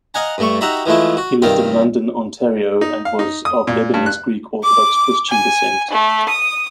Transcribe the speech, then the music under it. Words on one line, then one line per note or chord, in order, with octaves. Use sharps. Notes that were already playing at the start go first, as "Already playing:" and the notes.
He lived in London, Ontario, and was of Lebanese Greek Orthodox Christian descent.
D#5 F5 F#5 G#5 A#5
G2 A3 C#6
D#4 F#4 G4 E5 A#5 B5
E3 F3 G#3 A3 E4
F#4
G2 C3 D#3 F5 G5
D#4
F5
D#4
D#6
A#2
G2
F#6
D6
G#5
A3
D#6